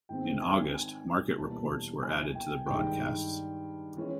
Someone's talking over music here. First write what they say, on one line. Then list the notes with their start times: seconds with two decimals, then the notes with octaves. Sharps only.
In August, market reports were added to the broadcasts.
0.09 G#2 D#3 G#3 C4 G5
0.41 G#5
0.74 G#5
1.38 E2 B2 G3 A#3 A5
2.03 G#5
2.35 G5
2.67 G2 D#3 G#3 G5
3.97 E3 G#3 C#4